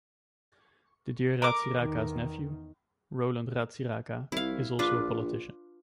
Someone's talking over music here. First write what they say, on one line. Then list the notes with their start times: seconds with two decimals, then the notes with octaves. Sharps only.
Didier Ratsiraka's nephew, Roland Ratsiraka, is also a politician.
1.42 A#4 D6
1.78 E2 D#3
4.32 C2 E4 F5
4.79 A#1 D4 F4 B4